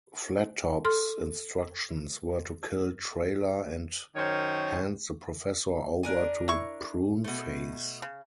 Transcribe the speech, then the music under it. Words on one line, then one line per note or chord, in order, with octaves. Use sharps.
Flattop's instructions were to kill Trailer and hand the Professor over to Pruneface.
A4 C6 F6
F#2 D#3 C5 C#5
D4 A#4 G#5
E4 C#6
B2 A3
C#3